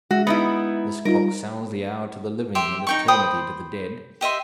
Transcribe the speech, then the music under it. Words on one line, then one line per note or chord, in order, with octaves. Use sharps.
This clock sounds the hour to the living, and eternity to the dead.
G#3 F#4 E5
B3 D#4 E4
G3 D#4 F4 A#4
G4 E5 C6
D#4 G5 C#6
C5 G5 B5 D#6
G4 D#5 E5 C6